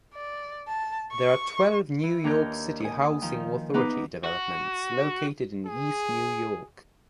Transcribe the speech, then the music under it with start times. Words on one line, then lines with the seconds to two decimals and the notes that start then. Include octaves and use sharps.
There are twelve New York City Housing Authority developments located in East New York.
0.15 D5
0.68 A5
1.12 C#6
2.03 E3
2.24 D#2 D4 A#4 C#5 G6
2.80 G#5 D#6
3.22 D#3 F3
3.73 E2 B3 D#4 B4 D6
4.24 F#4
5.67 G#4